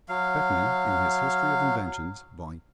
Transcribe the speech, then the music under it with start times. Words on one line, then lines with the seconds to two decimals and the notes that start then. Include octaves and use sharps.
Beckmann, in his History of Inventions, Vol.
0.09 F#3 F5